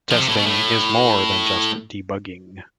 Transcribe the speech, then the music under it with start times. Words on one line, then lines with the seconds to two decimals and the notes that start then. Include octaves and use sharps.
Testing is more than just debugging.
0.11 F3
0.19 C3
0.28 A2
0.37 B2
0.46 A2